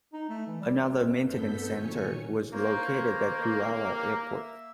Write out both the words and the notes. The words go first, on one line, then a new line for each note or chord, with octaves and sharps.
Another maintenance centre was located at Douala Airport.
D#4
A3
E3
G3
G2 B3 A4 G6 B6
A#2 D#3 F#3 C#5 G#5 C#7
A#3 C5 C#5 A#5
G4 A#4
E5